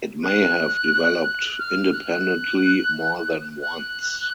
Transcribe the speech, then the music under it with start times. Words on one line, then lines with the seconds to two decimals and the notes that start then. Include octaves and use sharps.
It may have developed independently more than once.
0.23 F#6
1.59 F6
1.93 F#6
3.61 F#6